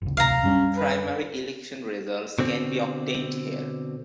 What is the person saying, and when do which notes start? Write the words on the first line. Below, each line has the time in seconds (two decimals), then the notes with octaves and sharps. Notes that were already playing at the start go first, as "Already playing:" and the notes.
Primary election results can be obtained here.
0.02 F#1 C#2
0.17 D1 C2 F5 A#5
0.43 F#2 G3 C#4 D4
0.77 B4
2.39 B2 D3 C4